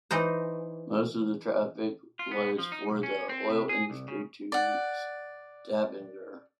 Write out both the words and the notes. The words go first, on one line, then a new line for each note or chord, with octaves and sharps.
Most of the traffic was for the oil industry to Stavanger.
E3 D#4 C5
F4
B3
F3
D#4
B1
C#4
C4
C3
G#4
C2
C#3
D5 F#5